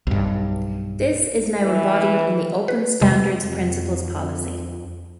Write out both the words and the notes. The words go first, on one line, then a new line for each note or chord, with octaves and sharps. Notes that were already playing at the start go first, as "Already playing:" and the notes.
This is now embodied in the Open Standards principles policy.
B1 G2
E3
B4
F2 C3 G3 G#3